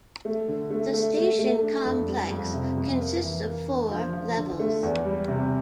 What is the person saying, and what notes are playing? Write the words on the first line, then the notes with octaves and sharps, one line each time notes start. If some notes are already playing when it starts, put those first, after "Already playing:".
The station complex consists of four levels.
A3
D3
A3
A3
A3
A3
D4
F2
G3
F2
C3
F2
A#3
E3
A#3
D4
F3
F3
D3
A3
E2
G3
C3